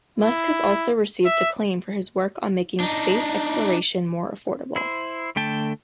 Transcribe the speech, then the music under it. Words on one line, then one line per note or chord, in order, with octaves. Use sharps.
Musk has also received acclaim for his work on making space exploration more affordable.
E4
E5
D4 D#4
E4 C5
D3 A3 G5 A5